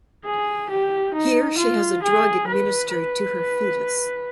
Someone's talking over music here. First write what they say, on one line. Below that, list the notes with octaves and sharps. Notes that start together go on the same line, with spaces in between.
Here she has a drug administered to her fetus.
G#4
G4
D#4
F4
G#4
B4
B4